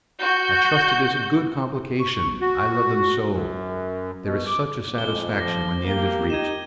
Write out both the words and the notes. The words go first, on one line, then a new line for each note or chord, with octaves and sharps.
I trust it is a good complication--I love them so--there is such a satisfaction when the end is reached.
F#4 G6
C#6
F#4
F#2
B2
D6
F2 G#3 D6 G7
F3 D6 A#6
A#3 G4 A#6 G7
D#4 G#6 D#7 E7